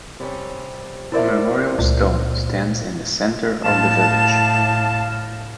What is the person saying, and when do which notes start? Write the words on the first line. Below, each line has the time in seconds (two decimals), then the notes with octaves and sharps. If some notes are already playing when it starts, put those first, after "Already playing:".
A memorial stone stands in the centre of the village.
0.20 C3 G3 C#4
1.12 E2 E4 A#4 C5 D5 E5
1.79 C#2 A#2
3.64 A2 F5 A5 E7